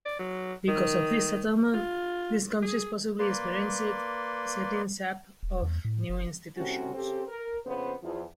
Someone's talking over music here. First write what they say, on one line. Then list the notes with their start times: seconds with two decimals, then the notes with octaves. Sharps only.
Because of this settlement, these countries possibly experienced setting up of new institutions.
0.06 D5
0.19 F#3
0.68 D#3
1.74 F4
2.62 G#4
3.19 A#3 B4 D5 C6
5.43 D#1
5.63 E2
5.85 A2
6.09 F#1
6.56 A2 C3 G3 C4 C#4 F#4
6.94 C#3 C4 G4 A4 C5
7.27 A#4
7.66 F2 C#3 B3 C5
8.02 E2 F3